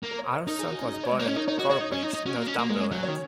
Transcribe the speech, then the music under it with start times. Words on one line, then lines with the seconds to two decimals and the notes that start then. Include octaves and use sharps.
Armstrong was born in Corbridge, Northumberland.
0.04 A#3
0.11 A#4
0.19 C#5
0.33 D#5
0.47 D#4 A#4
0.59 G#4
0.71 F#4
0.81 C#4
0.92 D#5
1.03 C#5
1.12 G#3 D#5
1.20 A#3
1.26 C#4 C#5
1.36 D#4 A#4
1.48 D#4 C#5
1.59 F#4 D#5
1.69 F#4 C#5
1.81 D#4 D#5
1.92 C#4 C#5
2.03 D#4 D#5
2.14 D#4
2.26 C#4 F#4
2.36 A#3
2.47 C#4
2.55 A#4
2.58 A#3
2.69 G#3 A#3
2.81 C#4
2.92 F#3 F#4
3.03 C#5
3.08 D#3